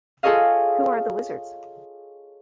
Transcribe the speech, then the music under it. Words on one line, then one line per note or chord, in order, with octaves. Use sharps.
Who are the Wizards?
F4 G#4 A4 C#5 D#5 F5